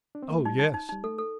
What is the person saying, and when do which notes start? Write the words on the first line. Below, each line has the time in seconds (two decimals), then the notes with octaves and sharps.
"Oh yes!"
0.15 D4
0.22 C4
0.30 A#3
0.38 A3
0.45 G3 D#4
0.59 D#4
0.74 D#4
0.89 G3 D#4
1.04 A3 A4
1.18 A4